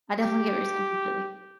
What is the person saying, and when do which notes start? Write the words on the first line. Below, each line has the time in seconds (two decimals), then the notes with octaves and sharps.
I definitely get what you're saying completely.
0.22 G4